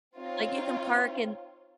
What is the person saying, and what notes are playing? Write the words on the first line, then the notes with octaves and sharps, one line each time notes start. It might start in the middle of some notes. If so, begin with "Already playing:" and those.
Like you can park and
C4 D#4 F4 C#5